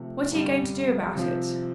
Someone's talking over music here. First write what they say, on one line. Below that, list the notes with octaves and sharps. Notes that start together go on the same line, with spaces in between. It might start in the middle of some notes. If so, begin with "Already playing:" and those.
"What are you going to do about it?"
Already playing: C3 F3 A3
G2 D3 G3
C3 F3 C4